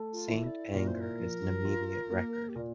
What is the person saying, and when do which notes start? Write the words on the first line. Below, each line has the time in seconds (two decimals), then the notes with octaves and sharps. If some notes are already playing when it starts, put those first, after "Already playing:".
"Saint Anger" is an immediate record.
Already playing: A3 A4
0.12 F4
0.28 E4
0.42 E5
0.46 D5
0.73 A#2 A#4
0.87 C5
1.00 A#4
1.20 F3
1.65 F4
2.11 A#3
2.48 G4
2.55 A#2 A#4